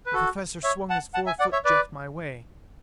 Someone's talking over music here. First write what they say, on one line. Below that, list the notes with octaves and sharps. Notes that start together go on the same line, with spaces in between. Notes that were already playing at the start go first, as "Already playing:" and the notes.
The Professor swung his four-foot jet my way.
B4
F#4 A4
C#5 E5
F#5 A5
F#5 A5
E5 G#5
D5 F#5
C#5 E5
B4 D5